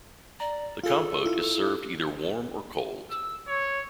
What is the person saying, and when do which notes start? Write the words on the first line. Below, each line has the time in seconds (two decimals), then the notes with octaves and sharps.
The compote is served either warm or cold.
0.40 D5 A#5
0.84 F4 G#4 A4
1.25 E4 F4
3.11 E6
3.48 C#5